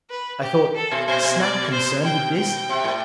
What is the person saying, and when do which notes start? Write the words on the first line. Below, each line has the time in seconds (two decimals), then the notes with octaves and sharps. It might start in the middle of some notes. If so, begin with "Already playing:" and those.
I thought, "Is Snap concerned with this?"
0.11 B4
0.42 G4
0.75 A4
0.92 B2
1.08 B2 C5
1.23 B2
1.40 D5
1.72 C5
2.05 G5
2.36 G5
2.69 C3
2.84 A2